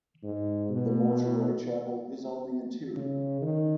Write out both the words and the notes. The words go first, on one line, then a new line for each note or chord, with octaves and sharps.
The mortuary chapel is on the interior.
G#2
B2
C#3
D#3